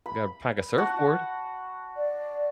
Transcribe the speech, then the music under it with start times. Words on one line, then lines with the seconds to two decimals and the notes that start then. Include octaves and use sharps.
Gotta pack a surfboard.
0.06 B5
0.78 F#4 F#5 A5
1.97 D5